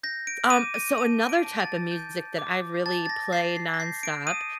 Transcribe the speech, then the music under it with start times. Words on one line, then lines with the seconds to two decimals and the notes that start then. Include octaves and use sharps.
D um, so, another type of music that I really play nonstop,
0.03 G6 A#6
0.27 D7
0.50 D6 D#7
0.74 D#7
0.98 A5 D#7
1.29 D7
1.45 A5
1.60 A6
1.92 G6
2.39 D6
2.86 A5 A6
3.06 A6
3.09 A#6
3.33 A5 C7
3.57 C7
3.74 A#6
3.80 G6 C7
4.03 D7
4.27 D#6 D#7